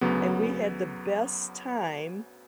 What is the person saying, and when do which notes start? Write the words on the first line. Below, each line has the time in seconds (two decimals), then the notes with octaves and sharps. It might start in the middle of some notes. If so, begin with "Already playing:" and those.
and we had the best time
0.01 D2 C#3 F#3 B3